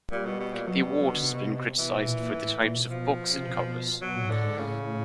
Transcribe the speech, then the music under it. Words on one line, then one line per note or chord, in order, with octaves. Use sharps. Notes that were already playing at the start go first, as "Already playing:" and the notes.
The award has been criticised for the types of books it covers.
A#2 G3
B2
B2
A#2
B2 F#3
G3
F#3
D3
C3
B2 E3
A#2
A2
A2
A#2
B2
F3
C#3
C3
B2
B2 F#3
A#2
G#2
A2 D3
G#2
A2 C#3